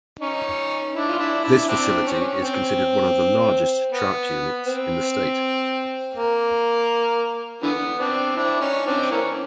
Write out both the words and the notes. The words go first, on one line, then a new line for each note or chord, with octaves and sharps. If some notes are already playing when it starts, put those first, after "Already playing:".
This facility is considered one of the largest trout units in the state.
C#4 D#4
D4 E4
F4
D4 E4
D4 E4
C4 D4
C#4
C4
C#4
C4
B3
C4
A#3
D3 E3 B3
C4 D4
D4 E4
C#4 D#4
C4 D4
E3 A#3 C#4